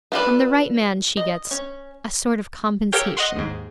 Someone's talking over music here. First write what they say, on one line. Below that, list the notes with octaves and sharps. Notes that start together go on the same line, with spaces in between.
'From the right man she gets--a sort of compensation.'
B3 F4 A4 B4 D5
D#5
C#4
G4 A4 A#4 C#5 F5 G5
D#5 F#5 C6
D#2 G#2